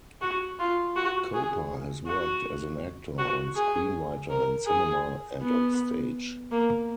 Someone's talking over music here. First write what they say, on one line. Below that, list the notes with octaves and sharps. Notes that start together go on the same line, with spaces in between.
Koper has worked as an actor and screenwriter in cinema and on stage.
F#4
F4
F#4
G#4
F#4
F#4
G#4
A#4
G#4
B3
A#3